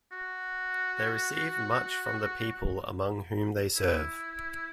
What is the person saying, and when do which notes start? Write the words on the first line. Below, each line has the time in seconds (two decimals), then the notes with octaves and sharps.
They receive much from the people among whom they serve.
0.12 F#4
3.76 E4